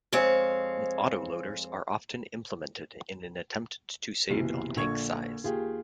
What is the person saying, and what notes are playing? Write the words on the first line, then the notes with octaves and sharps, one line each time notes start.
Autoloaders are often implemented in an attempt to save on tank size.
F2 G#3 C4 C#5 F5
F#1 B1 C3 E3 C7
A#1 A#2 D3 C#6 G#6
D#2 F4 G4 G#4